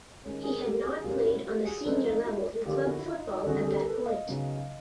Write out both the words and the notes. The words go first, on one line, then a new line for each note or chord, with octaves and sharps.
He had not played on the senior level in club football at that point.
D#3 G#3 C#4
G#4 A#4
A#4
G4 A4
F#4 G#4
G#4
A#2 F#3 A#3 C#4 F4 G4
E4 F#4
F4 G4
F#4 G#4
F3 G#3 C4 D#4 A4 B4
D#4 F4
E4 F#4
D3 F3 A#3 F4 G4
E4 F#4
E4
D#4 F4
D#4
A4
D3 G3 C4 F#4 G#4
G#4
G4 A4
A#4
A4 B4
D#5 F5
C#3 F#3 B3 D#4